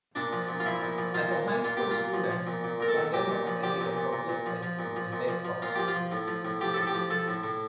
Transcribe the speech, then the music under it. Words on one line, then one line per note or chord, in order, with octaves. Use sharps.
As a high school student, Sandeno attended a public high school in Lake Forest.
A#2 D4
F3
A#2
F4
F3 E4
A#2
F3
A#2 F4
A#2
A#2
A#2 F4
A#2 G4
F4
A#2
F3
F3
A#2
A#2
A#2 A#4
A4
A#2
A#2 G4
A#2
F3
F3 G4
A#2
A#2
A#2
A#2
F3
F3
A#2
F3
A#2
F3
F3
A#2 F4
F3 G4
F4
F3
A2
F3
A2
F3 G4
A2 A4
G4
F3
F3 A4
A2
A2